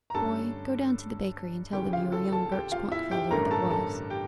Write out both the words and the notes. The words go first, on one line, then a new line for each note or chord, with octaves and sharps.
Boy, go down to the bakery and tell them you are young Gert Schwankfelder that was.
A#5
G2 D3 A3 C#4 A4 A5
D2 C#3 E3 A3 C#4 G4 G5
F4 F5
A4 A5
A4 A5
G4 G5
F4 F5
E4 E5
G4 G5
A1 G2 D3 A3 C#4 A#4 A#5
A4 A5
A4 A5
G4 G5